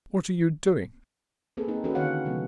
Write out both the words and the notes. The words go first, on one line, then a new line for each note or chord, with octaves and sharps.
'What are you doing?
A#3 C4 G#4 A4 B4
D#4
E3 C#4 F#4 G#4 A4 B4
D3 D#3 F#4 C#5 F5 F#5
C3 F3 G#3 B3